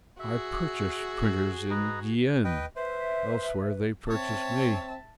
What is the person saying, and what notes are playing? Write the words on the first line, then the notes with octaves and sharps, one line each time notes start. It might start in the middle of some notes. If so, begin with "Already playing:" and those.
I purchase printers in Guienne; elsewhere they purchase me.
F#4 G#4 E5
B4 D#5 A#5
B4 D#5 G5
B4 C5 E5
C4 C#5 E5 A5